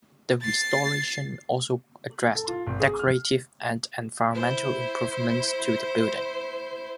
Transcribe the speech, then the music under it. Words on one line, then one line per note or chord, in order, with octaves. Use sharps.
The restoration also addressed decorative and environmental improvements to the building.
A6 C7
A4
F4
G#1
G#4
F6
E4 C5